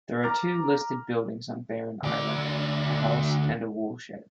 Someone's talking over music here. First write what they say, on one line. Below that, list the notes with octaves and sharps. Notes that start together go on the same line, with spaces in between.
There are two listed buildings on Barren Island, a house and a woolshed.
A#5 D6 F6 A6
D2 D5